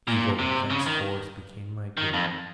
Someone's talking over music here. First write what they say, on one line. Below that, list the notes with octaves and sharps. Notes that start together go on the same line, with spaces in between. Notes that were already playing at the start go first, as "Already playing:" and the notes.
Evil thenceforth became my good.
A#2
C3
C#3
D#3
D#3
F2